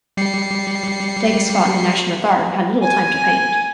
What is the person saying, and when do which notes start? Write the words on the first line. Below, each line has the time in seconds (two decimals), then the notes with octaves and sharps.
Degas fought in the National Guard and had little time to paint.
0.17 G3 C7 C#7
2.81 G#5